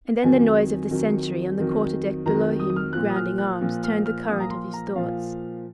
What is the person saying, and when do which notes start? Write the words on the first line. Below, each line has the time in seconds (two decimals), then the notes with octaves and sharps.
And then the noise of the sentry, on the quarter-deck below him, grounding arms, turned the current of his thoughts.
0.23 F2 D#3 F#3 G#5
0.90 F2 D#3 F#3
1.58 F2 D#3 F#3
2.26 F2 D#3 F#3 A#5
2.59 D#6
2.70 D#6
2.76 F6
2.93 A#2 F3 F#6
3.10 D#6
3.16 F6
3.38 F#6
3.61 A#2 F3
3.84 F6
4.06 F6
4.28 A#2 F3 D#6
4.40 A#5
4.51 C6
4.73 A#5
4.95 A#2 F3 F5